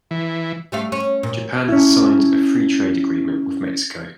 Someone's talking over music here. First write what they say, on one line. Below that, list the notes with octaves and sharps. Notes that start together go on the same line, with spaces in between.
Japan has signed a Free Trade Agreement with Mexico.
E3
G3 A3 F5
C#4
A#2
C#4 E4